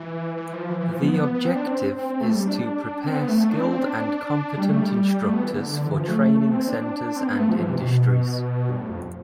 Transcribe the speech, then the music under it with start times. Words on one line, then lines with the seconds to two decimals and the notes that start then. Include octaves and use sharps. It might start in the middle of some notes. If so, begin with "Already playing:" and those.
The objective is to prepare skilled and competent instructors for training centres and industries.
Already playing: E3
0.37 E3
0.53 F3
0.69 E3
0.80 E3
0.91 F3
1.02 B3
1.13 B3
1.23 B3
1.34 B3
1.45 C4
1.56 D4
1.66 C4
1.98 C4
2.10 C4
2.21 A3
2.31 G3
2.47 D4
3.06 C4
3.17 B3
3.28 A3
3.39 A3
3.50 D4
3.60 C4
3.71 C4
3.82 D4
4.58 G3
4.69 A3
4.79 G3
5.22 A3
5.33 B3
5.44 E3
5.54 D3
5.86 E3
5.97 F3
6.08 A3
6.47 B3
6.51 C4
6.68 D4
7.16 C4
7.27 B3
7.38 A3
7.49 F3
7.59 E3
7.70 C3
7.81 B2
8.69 G2
8.78 A2
8.89 F2